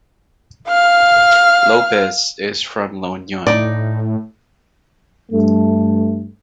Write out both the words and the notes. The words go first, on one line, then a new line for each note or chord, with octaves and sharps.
Lopez is from La Union.
F5 F6
A2 D#4 D5
G2 A3